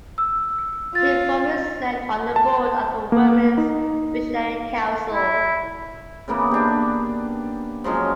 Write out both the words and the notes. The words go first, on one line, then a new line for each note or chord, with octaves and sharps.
She formerly served on the board of the Women's Visionary Council.
E6
F4 A6
A5
A#3
D#4
E4
C#3 E3 A#3 B3
D4 G4
F3 F#3 G#3 C#4